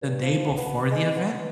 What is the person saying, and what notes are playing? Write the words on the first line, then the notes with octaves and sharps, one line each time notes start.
the day before the event,
G2
F3
B3
G#3
B3